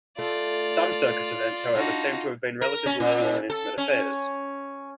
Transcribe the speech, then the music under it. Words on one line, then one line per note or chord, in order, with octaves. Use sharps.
Some Circus events, however, seem to have been relatively small and intimate affairs.
A3 F4 D5
D4 D#4 F#4
A#4
C#4
A#2
A4
C#4